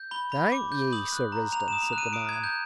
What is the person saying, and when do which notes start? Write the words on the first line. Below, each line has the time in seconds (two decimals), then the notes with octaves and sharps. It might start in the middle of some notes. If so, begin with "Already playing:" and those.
"Thank ye, Sir Risdon," said the man.
Already playing: G6
0.11 B5 G7
0.32 B5
0.52 D6
0.72 G6
0.93 D#6 F#7
1.12 F#6
1.32 A#5
1.52 A#5 F7
1.68 D#6 E7
1.83 F7
1.93 F#6
1.98 D#7
2.13 D#6 D7
2.29 F#6 G#6
2.44 G6